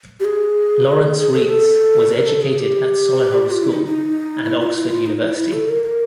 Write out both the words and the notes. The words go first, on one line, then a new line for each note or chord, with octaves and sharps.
Laurence Rees was educated at Solihull School and Oxford University.
G4
G#4
G#4
A4
G#4
A4
A#4
A4
G#4
G4
F4
E4
D#4
D#4
E4
F4
E4
F4
D#4
E4
E4
A4
A#4
A#4